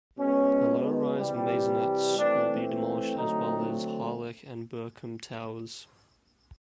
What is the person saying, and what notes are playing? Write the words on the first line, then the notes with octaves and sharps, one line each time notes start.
The low rise maisonettes will be demolished as well as Harlech and Burcombe Towers.
B2 G#3 B3 C#4
C3 E3 G3
E3 A3 C4 D4
D3 F#3 A3 C4 D#4